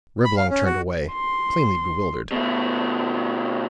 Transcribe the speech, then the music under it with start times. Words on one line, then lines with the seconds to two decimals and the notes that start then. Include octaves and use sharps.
Reblong turned away, plainly bewildered.
0.25 B5
0.37 F5
0.50 C#4
0.65 F#4
1.13 C6
2.32 B2 A3